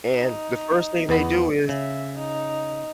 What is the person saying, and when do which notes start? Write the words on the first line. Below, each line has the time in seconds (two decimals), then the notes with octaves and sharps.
and the first thing they do is
0.12 D#4
1.09 E2 B3
1.69 C#3 E5
2.18 D#4